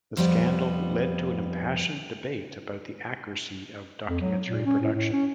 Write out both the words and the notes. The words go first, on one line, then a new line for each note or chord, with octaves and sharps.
The scandal led to an impassioned debate about the accuracy of documentary production.
F2 G3 B3
F2
F#3
A#2
C#4
A2
A2
C#4